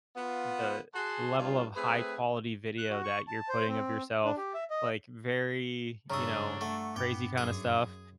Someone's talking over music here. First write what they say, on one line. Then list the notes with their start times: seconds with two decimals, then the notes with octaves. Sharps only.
the level of high quality video that you're putting of yourself, like, very, you know, crazy kinda stuff,
0.16 B3 F4
0.94 F#4 G#4 F#5 G#5 A5 C6
1.37 G2 F4
1.75 A3 C4 G#4 B4
2.78 F#6
2.90 F#4
3.03 C#6
3.28 A5
3.49 C5
3.68 C4
4.25 D4
4.37 G4
4.54 E5
4.70 D#5
6.10 G2 C#3 D4 A#5 C#6 D#6 E6
6.61 A3 F#5
6.96 G2 B3 G5 D6
7.38 F#2 G#4